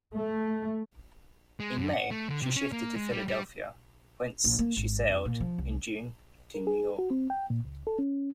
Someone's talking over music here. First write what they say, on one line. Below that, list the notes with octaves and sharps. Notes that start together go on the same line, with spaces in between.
In May, she shifted to Philadelphia, whence she sailed, in June, to New York.
A3
G#3
F#2
F#5
A3
D3
C3
C#4
A#3
G#3
G3
G3
A#1
A#3
G#1
F2
A#2
F3
C2
A#4
G#4
F#4
C4
G5
A#2
C#2
A4
C#4